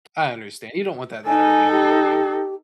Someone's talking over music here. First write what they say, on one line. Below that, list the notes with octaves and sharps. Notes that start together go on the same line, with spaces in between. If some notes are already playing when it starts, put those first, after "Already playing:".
I understan you don't want that that early in the morning.
D#4 A4 G#5
G4